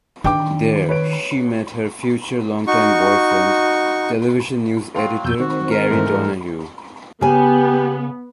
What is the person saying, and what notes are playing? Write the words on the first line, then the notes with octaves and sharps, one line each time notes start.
There, she met her future longtime boyfriend, television news editor Gary Donahue.
D#3 D4 G5 D6
B4 C#5 D7
D#4 F#4 C#6
F#3 F5 G5 C6
F2 B2 E6 G6
D#3 C4 F#4
A#4
G#2 E3 A3
C#3 B3 G4 G#5